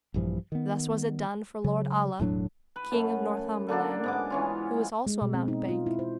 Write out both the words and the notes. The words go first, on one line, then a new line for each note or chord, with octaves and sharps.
Thus was it done for Lord Alla, King of Northumberland, who was also a mountebank.
A#1 G2 E3 F3
D#3 B3
C#3 F#3
E1 A2 F#3 D4
B4
F#2 A3
D3 A#3 D4 A4
G#2 B3 D6
E3 C#4 F4
G#3
B2
C4
D#4
F4
E4
C5